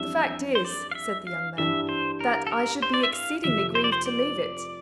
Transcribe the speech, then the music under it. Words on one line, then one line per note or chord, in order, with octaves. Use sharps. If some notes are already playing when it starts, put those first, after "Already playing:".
"The fact is," said the young man, "that I should be exceedingly grieved to leave it."
Already playing: F2 E3 G3 D4 E5
C5
D5
F5
E5
F5
G2 E3 G3 D4 G4 E5
C5
A#4
A4
A#4
C5
D5
E5
F5
F1 F2 C3 F3 E5
C5
D5
C5
D5